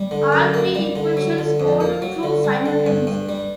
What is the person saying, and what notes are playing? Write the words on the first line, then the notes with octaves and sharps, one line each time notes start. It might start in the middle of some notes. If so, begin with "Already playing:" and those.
All three equations hold true simultaneously.
Already playing: G3
D3
F#2
A#3
G3
D3
F#3
D3
F2
A#3
F#3
D3
G3
D3
G2
G2
G3